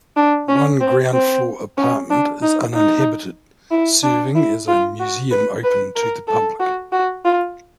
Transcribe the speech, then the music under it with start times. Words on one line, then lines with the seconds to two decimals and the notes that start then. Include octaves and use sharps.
One ground-floor apartment is uninhabited, serving as a museum open to the public.
0.17 D4
0.49 C#4
0.81 C4
1.13 C4
1.77 C#4
2.10 D4
2.42 D#4
2.74 D#4
3.71 E4
4.03 D4
4.35 E4
4.68 F4
5.00 F#4
5.31 B4
5.64 B4
5.96 A#4
6.28 A4
6.60 F#4
6.92 F#4
7.25 F4